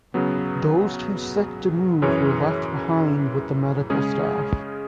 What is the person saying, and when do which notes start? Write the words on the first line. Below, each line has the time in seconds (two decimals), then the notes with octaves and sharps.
Those too sick to move were left behind with the medical staff.
0.14 C#3 F#3 B3
2.02 F#2 E3 C#4 G#4 C#5
3.90 C#3 G#3 C#4 G#4